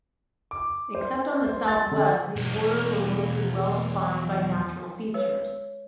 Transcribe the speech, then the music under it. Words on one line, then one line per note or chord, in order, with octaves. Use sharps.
Except on the south-west, these borders were mostly well defined by natural features.
D6
C5
C5
A6
D3
E2 B2
G#3 B4 C#5